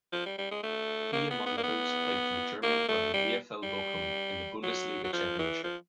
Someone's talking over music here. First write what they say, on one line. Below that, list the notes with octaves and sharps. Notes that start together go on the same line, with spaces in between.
He among others played for the German club VfL Bochum in the Bundesliga championship.
F3
G3
G3
G#3
A3
A#3
B3
B3
A#3
B3
A#3
A3
G3
G3
F#3
F#3
F3
E3
F3